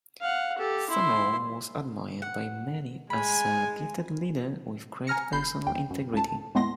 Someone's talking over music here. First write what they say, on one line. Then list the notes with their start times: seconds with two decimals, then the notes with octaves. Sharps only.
Summerall was admired by many as a gifted leader with great personal integrity.
0.21 F5 F#5
0.58 G4 A4
0.88 E4 C6
2.22 F#5
3.10 G#3 G#5 B5
5.07 G#5 A#5 F6 A#6 C#7
5.33 G1 B5 G6 C7
5.67 D#2 G5
5.90 F#2
6.13 C#2 A5
6.55 D#2 A2 G#3 B3 C6 A#6